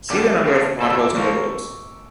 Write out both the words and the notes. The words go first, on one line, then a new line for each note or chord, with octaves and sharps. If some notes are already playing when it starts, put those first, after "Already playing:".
See the number of potholes on the roads.
F2 D3 G3 D4 D6
C#3 E3 A#3 D4
A#2 A3 E4 A4 E6
D6
F3 A#3 C#6